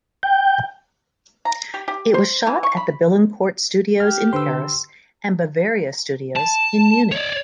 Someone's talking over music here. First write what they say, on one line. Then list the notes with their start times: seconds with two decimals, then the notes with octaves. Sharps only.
It was shot at the Billancourt Studios in Paris and Bavaria Studios in Munich.
0.23 G5
1.45 A#5
1.74 G4
1.88 G4
2.14 C5
2.47 E3
2.63 C#6
2.77 B5
4.00 G4 F6
4.33 D3 B4 C5 C6 E6
6.36 A5
7.12 C#5 D5